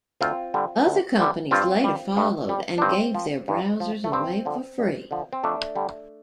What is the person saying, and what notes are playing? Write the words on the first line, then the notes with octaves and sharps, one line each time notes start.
Other companies later followed and gave their browsers away for free.
D2 C4 F4
D3 G3
D2
D3 G3
G2 C4 F4
G3
G2
G3
D4
G2 C4
F3
G2
F3
A3
G2 C4
D3 F3
G2
D3 F3
C4
F2 A3 D4
D3 G3